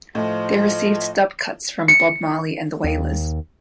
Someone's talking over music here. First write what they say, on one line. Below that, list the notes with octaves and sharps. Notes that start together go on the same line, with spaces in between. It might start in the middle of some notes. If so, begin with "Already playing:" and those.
They received dub cuts from Bob Marley and The Wailers.
A2 F3 A3 D#5
C#7
D#2